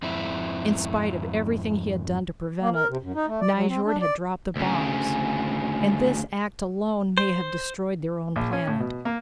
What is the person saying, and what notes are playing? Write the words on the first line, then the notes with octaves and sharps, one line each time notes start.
In spite of everything he had done to prevent it, Nyjord had dropped the bombs. And this act alone may have destroyed their own planet.
F2 G#2 C4 E4
A#3
A#4
C3
F#2
D#4
A3
D5
F#3
C4
D4
D5
D2 C#3
C5
A#1
C#4
A2
B2
A#3